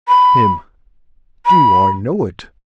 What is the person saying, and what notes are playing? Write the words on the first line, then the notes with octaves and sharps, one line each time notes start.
HIM: Do I know it?
B5
B5